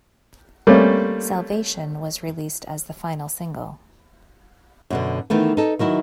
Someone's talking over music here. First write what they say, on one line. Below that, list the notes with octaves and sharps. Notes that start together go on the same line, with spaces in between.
"Salvation" was released as the final single.
G3 A3 A#3 C4 C#4
F#2 B2 D3
D#3 E3 A3 B3
D#4 A4
D#3 F#3 E4 F#4